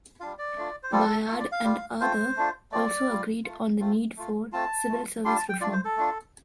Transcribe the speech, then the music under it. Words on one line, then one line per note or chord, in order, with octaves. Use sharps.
Bayard and Arthur also agreed on the need for civil service reform.
G3 D4 F4 F5
D5
A3 D4 F4
C5
G3 C4 F4 A4
A3 A4
F4
D5
F5
G3 F4
A3 C4 F4 C5
A3 D4 F4
A3 C4 F4 D5
G3 F4
A3 F4
A3 C4 F4
A3 F4
A3 C4 F4 A5
A3 F4
G3 D4 F4 C6
A5
G5
A3 D4 F4 D5
C5
A4
A3 D4 F4